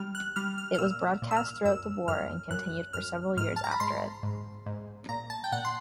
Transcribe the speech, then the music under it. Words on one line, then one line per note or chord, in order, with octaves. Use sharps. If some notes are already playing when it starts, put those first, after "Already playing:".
It was broadcast throughout the war and continued for several years after it.
Already playing: G3 F6
F#6
G3 F6
F6
F6
A#2 E6
A#2
E6
F6
F#2 E6
F#2 F6
F#2 F#6
F#2 F6
G#2 F6
A5
A#5
B5
G#2 C6
G#2
G#2
A#2 A#5
A5
G5
A#2 F#5
C6